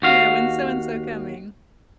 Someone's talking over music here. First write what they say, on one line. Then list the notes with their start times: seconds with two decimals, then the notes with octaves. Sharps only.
Yeah, when's so-and-so coming.
0.02 D#2 F#4 F5